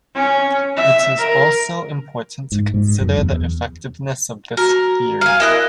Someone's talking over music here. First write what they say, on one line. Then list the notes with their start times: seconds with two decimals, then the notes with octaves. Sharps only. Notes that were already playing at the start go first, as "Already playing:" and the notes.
It is also important to consider the effectiveness of this theory.
0.15 C#4
0.77 E5
1.18 A#4
2.52 G#2
2.74 G#2
3.01 F#2
3.19 E2
4.57 F#4 A#4
5.21 F5 G#5
5.40 E4 A#4 D#5 F#6